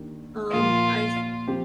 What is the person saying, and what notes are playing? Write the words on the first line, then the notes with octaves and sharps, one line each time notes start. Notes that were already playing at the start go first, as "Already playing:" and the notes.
Um, I
Already playing: D#3 A#3 D4 G4
A#2 F3 A#3 F4
F3 C4 G4